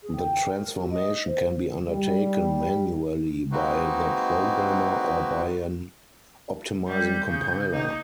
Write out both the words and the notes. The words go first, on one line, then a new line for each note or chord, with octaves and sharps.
The transformation can be undertaken manually by the programmer or by an optimizing compiler.
G#4
G5
A#4
F#4
D#5
C5
G3
G#3 A#3 C4 D#4 F#4 B4
G3 G6
C#3
A#3 D#4